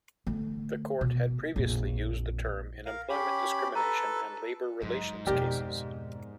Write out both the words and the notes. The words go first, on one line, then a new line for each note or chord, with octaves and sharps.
The Court had previously used the term in employment discrimination and labor relations cases.
D3 A3
B2
A#1 F2
A#4 F5
C#4 G4 B5
A4 B4 A#5
G#2 F#3
F2 B2 G4 A#4 D5